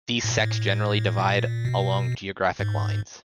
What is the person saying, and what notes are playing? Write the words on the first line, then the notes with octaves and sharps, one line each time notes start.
These sects generally divide along geographic lines.
A2
A#2
A2
A#2
B2
G#2